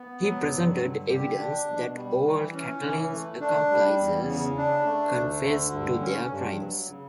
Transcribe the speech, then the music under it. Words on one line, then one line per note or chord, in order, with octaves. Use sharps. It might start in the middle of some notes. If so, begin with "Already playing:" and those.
He presented evidence that all of Catiline's accomplices confessed to their crimes.
Already playing: B3
F#3
G2
D3
G4
D4
B2
G3
E3
C#4
E3
A3
D4
G3
E2
C#3
D4
A3
D2
D3
G2
C#4
G2
F#3
C#3